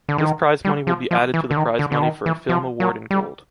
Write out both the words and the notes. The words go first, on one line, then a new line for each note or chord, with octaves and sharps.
This prize money will be added to the prize money for a film award in gold.
D3
D#3
G3
F3
F3
E3
D3
D#3
D3
D3
D#3
E3
F3
F#3
G3